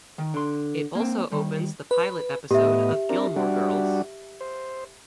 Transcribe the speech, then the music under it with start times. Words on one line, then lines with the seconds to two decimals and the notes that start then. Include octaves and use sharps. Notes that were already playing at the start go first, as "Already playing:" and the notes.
It also opens the "Pilot" episode of "Gilmore Girls".
0.18 D#3
0.34 D3 C6
0.95 A#3 C4
1.32 D#3 G3
1.91 B4
2.51 A2 B3 G4 D#5 E5
3.10 C4 D4 A#4
3.36 G3 D4 F#4
4.41 C5